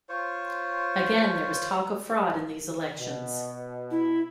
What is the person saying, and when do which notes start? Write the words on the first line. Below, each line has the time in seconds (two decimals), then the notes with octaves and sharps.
Again there was talk of fraud in these elections.
0.09 F4 C5 C#5
2.97 B2
3.91 E4